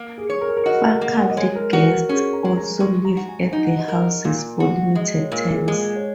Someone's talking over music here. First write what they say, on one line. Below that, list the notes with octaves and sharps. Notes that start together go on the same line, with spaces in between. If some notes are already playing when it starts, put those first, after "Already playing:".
Faculty guests also live at the houses for limited terms.
Already playing: A#3
G#4
C#5
A#4
G#4
A#4
F#4 D#5
A#4
A#3 F#5
F#5
D#5
G#3 C#5
A#4
F#4 A#4
A#4
C#4 G#4
A#5
G#3
A#5
G#3 C#6
A#5
F#4
G#5
D#4 G#5
F#5
D#5
A#4 F#5
A#2
F#4
G#3 D#5
C#5
A#2 A#4
G#4
G#3 G#4
C#5